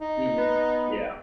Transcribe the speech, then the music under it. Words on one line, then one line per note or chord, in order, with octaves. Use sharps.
Mhm, yeah.
D#4
B3